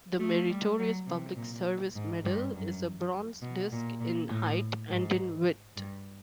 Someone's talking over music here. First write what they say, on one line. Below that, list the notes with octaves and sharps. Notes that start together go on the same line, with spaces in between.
The Meritorious Public Service Medal is a bronze disc in height and in width.
A3
G3
F#3
C3
A#2
G#2
G2
F#2
B2
A#2
A#2
A2
G#2
G2